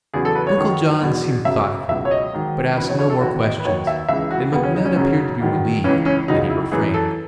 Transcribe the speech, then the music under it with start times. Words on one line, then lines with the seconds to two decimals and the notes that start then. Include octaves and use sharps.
Uncle John seemed thoughtful, but asked no more questions, and McNutt appeared to be relieved that he refrained.
0.14 E2 C#3 F#3 G#4
0.25 A4
0.35 B4
0.47 C#5
0.58 F#2 D#3 F#3
1.01 E2 B2 F#3
1.45 F#2 C#3 F#3 E5
1.89 C#2 B2 F#3 E5
2.05 C#5
2.11 D#5
2.33 G#2 D#3 F#3
2.77 E2 C#3 F#3 B4
2.88 C#5
2.99 C#5
3.10 A4
3.21 E2 D#3 F#3 F#4
3.43 D#5
3.60 B4
3.65 D#2 D#3 F#3 C#5
3.87 E5
4.08 C#2 C#3 E3 E5
4.31 F#4
4.52 D#2 C#3 F#3 B3
4.63 C#4
4.75 D#4
4.85 C#4
4.96 F#2 C#3 F#3
5.40 E2 D#3 F#3
5.84 C#2 C#3 E3 C#4
6.06 C#4
6.28 C#2 C#3 F#3 D#4
6.50 E4
6.72 F#2 E3 G#4
6.94 A4